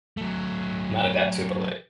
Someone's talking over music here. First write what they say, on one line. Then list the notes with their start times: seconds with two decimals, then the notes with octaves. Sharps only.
Not adapt to, but like
0.17 F#3 A3